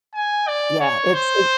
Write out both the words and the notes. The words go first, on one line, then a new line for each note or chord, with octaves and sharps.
Yeah, it's it
G#5
D5
C#5
C5